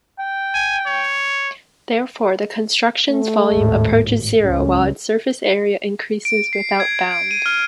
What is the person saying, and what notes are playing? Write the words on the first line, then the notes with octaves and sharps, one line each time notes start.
Therefore the construction's volume approaches zero while its surface area increases without bound.
G5
G#5
C#5
A3
G#1 D#2 A2
C#2 C#4
D7
C7
G#6
D7
D#7
F6